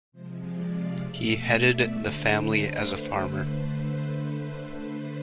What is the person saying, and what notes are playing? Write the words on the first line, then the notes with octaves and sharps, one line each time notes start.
He headed the family as a farmer.
C3 F3 G#3 C5
D5
F5
B2 A3 E5
D5
D3 A3 C5
B4